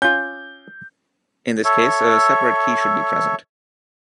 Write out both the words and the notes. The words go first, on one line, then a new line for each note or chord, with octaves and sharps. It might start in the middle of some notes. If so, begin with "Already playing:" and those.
In this case, a separate key should be present.
C#4 F4 G6
A4 C#5 E5